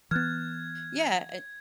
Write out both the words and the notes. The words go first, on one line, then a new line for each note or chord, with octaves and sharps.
yeah, uh,
E3 B3 F6 F#6 G#6 A6